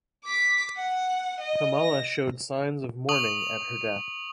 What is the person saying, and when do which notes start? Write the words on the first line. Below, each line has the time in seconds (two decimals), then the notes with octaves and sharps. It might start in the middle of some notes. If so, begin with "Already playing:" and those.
Kamala showed signs of mourning at her death.
0.24 D6 B6
0.77 F#5
1.40 D#5
1.81 A#6
3.09 C#6 D#6 F#7